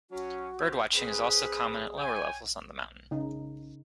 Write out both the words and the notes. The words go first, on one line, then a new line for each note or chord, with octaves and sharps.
Birdwatching is also common at lower levels on the mountain.
F#3 C#4 F#4
C4 G4
C4 G#4 B4
C#5 G5 G#5
C#3 D#4